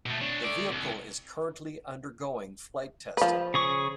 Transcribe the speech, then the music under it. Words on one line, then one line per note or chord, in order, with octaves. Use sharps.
The vehicle is currently undergoing flight testing.
B2 A3
D4 C#5
A3 D5
C2
F3 B4
C#3 G#4 C#6